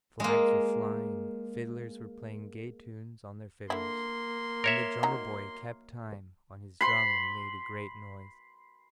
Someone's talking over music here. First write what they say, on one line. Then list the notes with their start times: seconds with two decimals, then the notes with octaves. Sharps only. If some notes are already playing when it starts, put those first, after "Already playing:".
Flags were flying, fiddlers were playing gay tunes on their fiddles, and the drummer boy kept time on his drum and made a great noise.
0.20 G#3 A#3
3.70 D3 A#3 E4 C6
4.64 A#4 C#5 E5
5.03 F#3 D#4 A#5
6.81 B5 C6